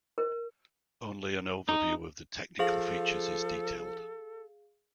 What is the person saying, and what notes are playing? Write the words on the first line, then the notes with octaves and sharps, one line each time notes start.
Only an overview of the technical features is detailed.
A#4
D#4
F3 G#4 A4 F5